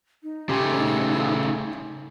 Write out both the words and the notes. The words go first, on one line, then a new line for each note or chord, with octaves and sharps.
"Rang her up?"
D#4
C#3 A3 G4 G#5 C6